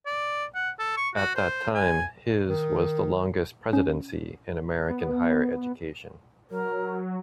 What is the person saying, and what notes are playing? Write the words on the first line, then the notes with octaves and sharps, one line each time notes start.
At that time his was the longest presidency in American higher education.
D5
F#5
A4
C#6
F#4
C5
G#5
D#3
C#4
B3
F#3 A#4